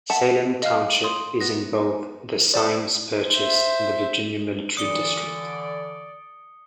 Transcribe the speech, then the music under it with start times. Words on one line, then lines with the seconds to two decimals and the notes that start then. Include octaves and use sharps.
Salem Township is in both the Symmes Purchase and the Virginia Military District.
0.10 E5 F#5 A5
0.63 D#5 F5 F6
1.04 C6 D#6
1.41 B3 A#6
2.54 A4 C5 D5
3.28 C5 E5
4.77 D3 E3 D5 D#6 C#7 G7